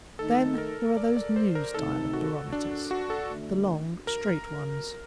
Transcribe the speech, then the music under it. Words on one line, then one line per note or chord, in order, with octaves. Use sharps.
Then there are those new style of barometers, the long straight ones.
D#3 A3 D#4 A4
A#4
D5
D5
C5
A#4
C3 D#3 A3 D#4 A4
F#4
D4
F#4
A4
D3 A3 D4
A#4